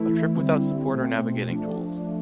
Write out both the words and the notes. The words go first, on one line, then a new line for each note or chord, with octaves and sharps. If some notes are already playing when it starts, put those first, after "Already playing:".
A trip without support or navigating tools.
Already playing: E3 A3 E4
D3 G3 C4 E4
B2 A3 C4
F3 A3 D4